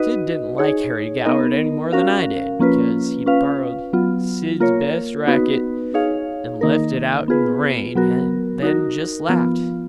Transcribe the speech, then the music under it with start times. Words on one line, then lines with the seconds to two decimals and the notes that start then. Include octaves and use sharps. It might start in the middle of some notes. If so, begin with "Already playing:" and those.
Sid didn't like Harry Goward any more than I did, because he'd borrowed Sid's best racket and left it out in the rain, and then just laughed.
Already playing: D#4 F#4 B4 D#5
0.58 D#4 G#4 C#5
1.25 B3 D#4 A#4 D#5
1.92 C#4 F#4 A#4 F5
2.59 F3 A#3 C#4 F4 B4
3.26 C#4 F4 B4 F5
3.93 F#3 B3 F4
4.60 A#3 F4 A#4 C#5
5.27 B3 D#4 F#4 B4
5.94 D#4 G#4 C#5 F5
6.61 D#3 A#3 D#4 A#4
7.28 B3 F4 G#4 B4
7.95 F#3 B3 F#4 A#4
8.62 D#4 F#4 A#4
9.29 F3 B3 F4